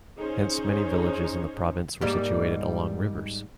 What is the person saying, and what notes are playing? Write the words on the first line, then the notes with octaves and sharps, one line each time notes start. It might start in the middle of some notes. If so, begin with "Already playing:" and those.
Hence many villages in the province were situated along rivers.
C#4 D#4 G#4 C5 C#5
G#2 G3 A#3